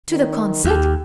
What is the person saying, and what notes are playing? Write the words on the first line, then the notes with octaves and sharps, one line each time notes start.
"To the concert?"
D#3
D#2 G4